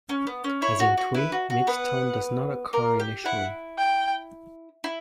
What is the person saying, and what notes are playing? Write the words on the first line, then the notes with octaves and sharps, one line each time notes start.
As in Twi, mid tone does not occur initially.
C#4
B3
C#4
E4 C#5
F#4
F#4
E4 B4
F#4
F#4
B3 B4 F#5
A#3 A#4
G4
E4 F#5
G5
E4